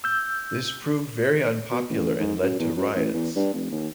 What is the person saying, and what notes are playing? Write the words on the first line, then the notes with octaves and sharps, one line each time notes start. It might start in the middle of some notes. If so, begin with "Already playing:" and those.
This proved very unpopular, and led to riots.
E6 G6
B2
A1
G#2
F#2
E2
F#2
A1
E2
G2
F1
D#2